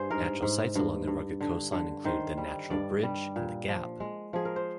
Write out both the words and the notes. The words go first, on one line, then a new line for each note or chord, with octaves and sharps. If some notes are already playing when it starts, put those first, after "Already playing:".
Natural sights along the rugged coastline include the 'Natural Bridge' and the 'Gap'.
Already playing: G2 G#4 C5
G#2 A#4
G#2
G2
G2
D3
D3
D#3 C5
G3
G2 D5
G3
A#2
F3
G#3
F3 G#4
A#4
C5